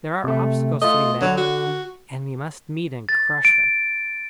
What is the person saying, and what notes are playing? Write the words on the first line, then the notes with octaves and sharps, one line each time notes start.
There are obstacles to be met, and we must meet, and crush them!'
C3 A3
A3 F4 D#5
D3 F#3
F#4
A6
D7